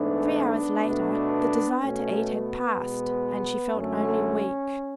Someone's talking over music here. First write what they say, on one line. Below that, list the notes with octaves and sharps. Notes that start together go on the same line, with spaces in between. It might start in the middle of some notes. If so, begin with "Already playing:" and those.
Three hours later the desire to eat had passed, and she felt only weak.
Already playing: G#2 E3 A3 B3 D4
B2 A3
B2 A3 C#4
B3
B2 G#3
F#2 D3 A3 C#4